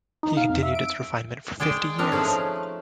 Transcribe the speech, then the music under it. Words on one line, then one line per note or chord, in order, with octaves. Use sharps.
He continued its refinement for fifty years.
D#4
F5
F2
E5
D7
G#3 G#4 D5 G5
C4 D4 D#4 A#4
F3 A3 C#4 G#4